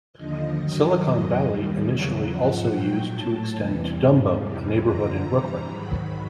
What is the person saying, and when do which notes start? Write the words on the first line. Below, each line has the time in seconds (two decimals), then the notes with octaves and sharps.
Silicon Alley initially also used to extend to Dumbo, a neighborhood in Brooklyn.
0.17 D#2 D3 F3 D#5
0.59 G2 D#3 F#3
1.02 F#2 D#3 F#3
1.44 D#2 D#3 G3
1.86 E2 C#3 F#3
2.28 G#2 F3 F#5
2.71 A#2 F#3 G5
3.13 A2 A5
3.18 F#3
3.56 E2 C3 E3 G3
3.98 G#2 F3
4.40 E2 C3 E3 G3
4.82 F#2 D3 F3 A#5
5.24 G2 E3 G3
5.66 G#2 D#3 F#3 B5